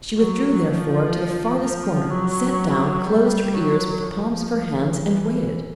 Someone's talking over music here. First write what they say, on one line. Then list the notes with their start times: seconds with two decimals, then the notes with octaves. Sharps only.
She withdrew therefore to the farthest corner, sat down, closed her ears with the palms of her hands, and waited.
0.17 F#3
0.66 F3
1.62 F3
2.10 F#3
3.06 G3
3.54 F#3
4.03 F3
4.98 E3